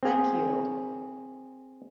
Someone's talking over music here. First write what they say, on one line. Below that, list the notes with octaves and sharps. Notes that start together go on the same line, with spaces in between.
Thank you.
C4 G#4